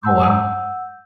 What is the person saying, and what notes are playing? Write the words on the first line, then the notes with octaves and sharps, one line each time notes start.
Oh, wow.
F#5 E6 G6